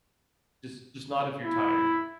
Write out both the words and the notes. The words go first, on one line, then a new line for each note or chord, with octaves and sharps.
Just just not if you're tired,
E4